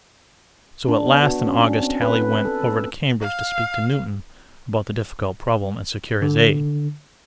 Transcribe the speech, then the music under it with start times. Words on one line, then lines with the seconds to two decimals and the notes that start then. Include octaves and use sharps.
So at last, in August, Halley went over to Cambridge to speak to Newton about the difficult problem and secure his aid.
0.88 D4
1.06 B3
1.22 F#4
1.47 C#4
1.58 D4
1.81 C4
2.02 B4
2.22 B4
2.45 A4
2.65 A#3
3.21 F5
6.22 D3